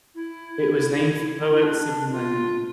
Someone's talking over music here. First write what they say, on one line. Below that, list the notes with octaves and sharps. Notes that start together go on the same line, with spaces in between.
It was named for poet Sidney Lanier.
E4
E4
D4
F4